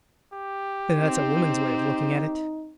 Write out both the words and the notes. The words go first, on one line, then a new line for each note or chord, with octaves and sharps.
"That's a woman's way of looking at it!"
G4
C4 D#4 C5